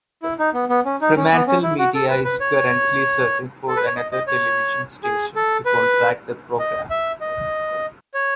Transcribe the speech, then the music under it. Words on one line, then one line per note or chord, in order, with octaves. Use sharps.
FremantleMedia is currently searching for another television station to contract the programme.
E4
D#4
B3
B3
C#4
D#4
C#4
B3
C#4
E4
F#4
A4
B4
B4
C#5
A4
B4
C#5
D#5
D#5
C#5
G#4
A4
B4
D#5
E5
D#5
C#5